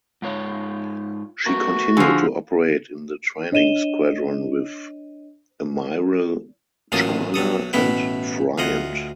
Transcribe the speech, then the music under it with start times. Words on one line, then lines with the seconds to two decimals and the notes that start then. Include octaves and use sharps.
She continued to operate in the training squadron with "Amiral Charner" and "Friant".
0.22 G#2 F4 C#5
1.46 A3 B3 F#4 A#4
1.97 D3 F3 G#4
3.52 D4 C#5 D#5 D#7 E7 G7
6.92 A1 A#2 F#3 A5 C6 D#6
7.34 B1 F#3 A4 D#6
7.73 A1 B2 B3 E4 G5
8.58 D2 F4 D#5 F#5